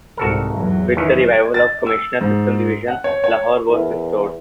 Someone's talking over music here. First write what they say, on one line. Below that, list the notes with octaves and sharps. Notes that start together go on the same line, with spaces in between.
With the revival of commissioner system division, Lahore was restored.
C2 G#2 F#4 A4 A#4
E2 F#3
D#3 E3 C#4
A6
E6
G#2
F#5
C#5
C#5
E2 E4 A#4